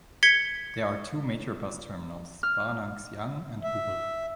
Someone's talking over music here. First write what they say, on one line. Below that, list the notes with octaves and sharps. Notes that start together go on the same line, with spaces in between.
There are two major bus terminals, Baranangsiang and Bubulak.
G#6 B6 C#7 G7
F6
E5